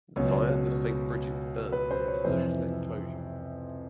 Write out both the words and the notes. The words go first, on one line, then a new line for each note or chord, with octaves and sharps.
The fire of St. Bridget burned within a circular enclosure.
C#2 B2 F#3 C#5
B4
C5
C#5
F2 C3 E3 C5